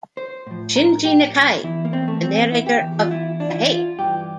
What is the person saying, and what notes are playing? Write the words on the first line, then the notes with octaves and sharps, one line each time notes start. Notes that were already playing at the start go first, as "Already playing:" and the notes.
Shinji Nakae the narrator of the Hey!
C5
A2 F3
A#4
G4
E2 E3 E4
A#3
C4
A3
C4
E4
G4
E2 E3
F4
E4
D4
F4
E4
F4
G2 E3 G4